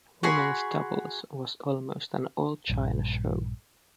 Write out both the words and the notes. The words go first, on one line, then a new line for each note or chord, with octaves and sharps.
Women's doubles was almost an all-China show.
F#4 G#4 B5 C6
A#1 G2